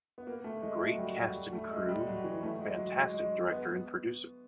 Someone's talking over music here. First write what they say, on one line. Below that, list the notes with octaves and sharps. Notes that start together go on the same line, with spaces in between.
Great cast and crew, fantastic director and producer.
B3
A#3
A3
G#3
A3
F#3
G3
F#3
G3
A3
G#3
G3
F#3
E3
A3
G#3
F#3
G#3
G#3
B3